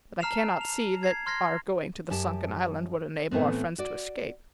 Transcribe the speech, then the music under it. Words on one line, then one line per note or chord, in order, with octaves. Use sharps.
But I cannot see that our going to the sunken island would enable our friends to escape.
A5 A#5 F6 C7 E7 F7
F7
G#6 C7
C6 F6 G#6 A#6 C7
F#2 G4 A5
A2 E3 A3 B3 C4
F#4 D5